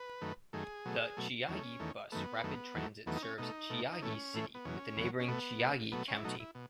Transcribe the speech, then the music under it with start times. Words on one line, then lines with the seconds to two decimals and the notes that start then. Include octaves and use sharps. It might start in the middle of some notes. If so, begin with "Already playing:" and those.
The Chiayi Bus Rapid Transit serves Chiayi City with the neighboring Chiayi County.
Already playing: B4
0.21 F#2 D#3 A3
0.53 F#2 D#3 A3 G#4
0.85 B2 F#3 A3
1.17 B2 F#3 A3
1.48 E2 D#3 A3 C#4
1.79 E2 D#3 A3
2.12 F#2 D#3 A3 B3
2.44 F#2 D#3 A3
2.75 E2 D#3 F#3 A3
3.06 E2 D#3 F#3 A3 B3
3.16 D#4
3.23 C#4
3.38 B2 A3 D#4
3.70 B2 A3
3.92 D#4
4.02 A2 E3 A3 C#4
4.34 A2 E3 A3
4.55 B3
4.65 E2 B2 F#3 C#4
4.97 E2 B2 F#3
5.20 C#4
5.28 B2 A3 B3
5.60 B2 A3
5.92 B2 F#3 A3 B3
6.08 C#4
6.17 E4
6.24 B2 F#3 A3 D#4
6.40 E4
6.55 B2